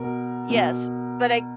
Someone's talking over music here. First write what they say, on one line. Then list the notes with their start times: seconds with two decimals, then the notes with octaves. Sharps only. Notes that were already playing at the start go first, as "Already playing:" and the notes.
Yes, but I
Already playing: B2 A#4
0.50 B2